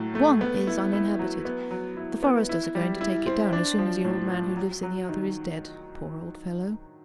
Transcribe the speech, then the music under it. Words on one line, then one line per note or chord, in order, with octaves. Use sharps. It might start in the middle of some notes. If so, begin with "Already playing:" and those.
One is uninhabited; the foresters are going to take it down, as soon as the old man who lives in the other is dead, poor old fellow!
Already playing: A2 F#3 A3
A3
B3
E4
E4
F#3
B3
F#3
E4
B3
E4
G3
E4
C4
D4
F3
A2
F3
F#3
F#3
D#3